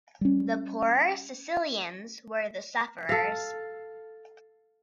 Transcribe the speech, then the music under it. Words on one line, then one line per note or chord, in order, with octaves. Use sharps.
The poorer Sicilians were the sufferers.
G3 C#4
A4 F5